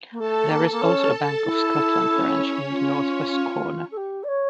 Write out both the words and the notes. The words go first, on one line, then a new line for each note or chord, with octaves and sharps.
There is also a Bank of Scotland branch in the north west corner.
A#3
A3 A4 A5
A#3
A#3
C#4
E4 A4 A5
C#4 C#5
F4
A4
G4
D5
C#5